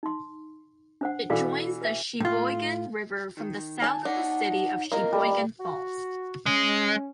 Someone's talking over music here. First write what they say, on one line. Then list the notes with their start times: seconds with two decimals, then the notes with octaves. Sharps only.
It joins the Sheboygan River from the south in the city of Sheboygan Falls.
0.03 D#4 C6
1.01 D4 C5 F#5
1.30 B2 E3 A4 D5 F5
1.82 B4 E5
2.20 A2 F4
3.37 D#3
3.82 G#5 A5
4.05 D4 D#4 C#5 F#5
4.92 A2 C3 A#3 F4 A#4 D#5
5.13 G3
5.60 F#4
6.46 G#3 C#4